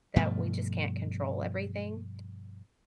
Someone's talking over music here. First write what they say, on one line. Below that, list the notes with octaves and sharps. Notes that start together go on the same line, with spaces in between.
that we just can't control everything,
G2 B2 F3 A3